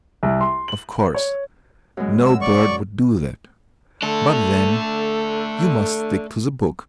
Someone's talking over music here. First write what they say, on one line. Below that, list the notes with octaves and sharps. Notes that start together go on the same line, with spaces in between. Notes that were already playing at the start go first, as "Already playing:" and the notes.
Of course no bird would do that, but then you must stick to the book.
C2
C6
F#7
C#5
F#2 B2 G#3
E6
D5 C#6
A3 D4 A4